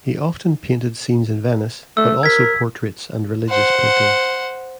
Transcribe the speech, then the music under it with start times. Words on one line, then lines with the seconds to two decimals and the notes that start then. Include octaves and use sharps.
He often painted scenes in Venice, but also portraits and religious paintings.
1.97 A3 E6
2.23 A#4 G#6 B6
3.50 C5 F#5